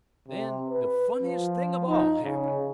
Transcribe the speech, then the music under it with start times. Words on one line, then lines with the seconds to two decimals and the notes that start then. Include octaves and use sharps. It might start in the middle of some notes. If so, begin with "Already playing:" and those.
Then the funniest thing of all happened.
0.28 C3
0.70 B4
1.23 F3
1.87 D#4
2.24 C#3